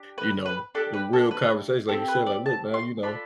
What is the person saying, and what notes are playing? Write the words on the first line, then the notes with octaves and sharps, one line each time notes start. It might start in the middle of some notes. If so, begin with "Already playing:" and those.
you know, them real conversations like you said, like, look now, you know,
Already playing: D4 G4
B4
B4
D4 G4 A4
B4
A4
B4
C4 E4 G4 A4
B4
D5
A5
C6
D4 F4 A4 B5